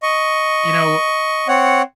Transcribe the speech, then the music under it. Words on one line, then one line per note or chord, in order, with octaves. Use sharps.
You know
D#5 C#6
C4 C#5 F#5